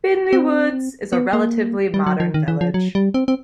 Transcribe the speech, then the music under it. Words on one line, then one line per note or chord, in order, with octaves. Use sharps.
Binley Woods is a relatively modern village.
C4
B3
A#3
G3
F#3
F3
D#3
E3
F3
F#3
G3
C4
C4